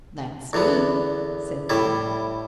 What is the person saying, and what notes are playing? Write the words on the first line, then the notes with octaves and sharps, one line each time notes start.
"That's me!" said Bill.
E2 D3 B3
A2 G3 E4